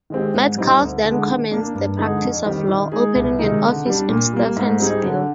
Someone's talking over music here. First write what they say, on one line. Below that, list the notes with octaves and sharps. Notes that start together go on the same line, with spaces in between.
Metcalf then commenced the practice of law, opening an office in Stevensville.
D#3 G#3 C4 G4
G#2
G3 C4 D#4
D2
D3 G#3
D#3
A#3 D4
G2
D3 G#3 D#4 G#4
F2
D#3 G3 C4 G4
D#3
G#3 D#4 G#4
C2
C3 D#3 G#3 D#4
D3
G3 D4
A#2
G3 A#3
G#2
G3 C4 D#4 G#4
D3